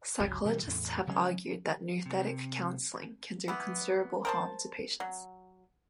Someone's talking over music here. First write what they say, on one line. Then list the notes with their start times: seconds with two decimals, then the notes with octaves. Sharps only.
Psychologists have argued that nouthetic counseling can do considerable harm to patients.
0.20 G1 C#2 F#3
0.45 B2 E3 F#3 G3
0.63 E2 A2
1.07 C#3 F#3 G#3 C#4
2.06 C3
3.48 E3 B3
4.25 A#4 C5 A5
5.00 F#3